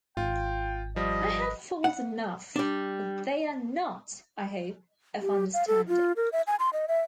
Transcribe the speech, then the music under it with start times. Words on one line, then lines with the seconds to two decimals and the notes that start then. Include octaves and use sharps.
I have faults enough, but they are not, I hope, of understanding.
0.17 G#1 F4 G5
0.96 F3 G3 D#5
1.84 F#5
2.56 G3 D4
5.21 G4
5.54 F5
5.67 A4
5.88 F4
6.16 A#4
6.33 E5
6.47 G#5
6.59 C6
6.73 D#5
6.88 E5